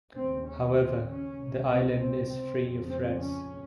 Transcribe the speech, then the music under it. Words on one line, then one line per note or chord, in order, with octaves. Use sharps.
However, the island is free of rats.
D#2 C#3 C4
C#4
C4
C#4
C#2 C3
C4
C4
C4
F2 C#3
C4
C#4